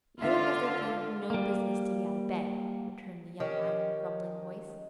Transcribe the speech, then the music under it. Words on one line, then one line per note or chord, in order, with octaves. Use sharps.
'You look as if you'd no business to be out of bed,' returned the young man in a grumbling voice.
D3 F4 E5 F5
G3 A#3
D#3 C#4 G4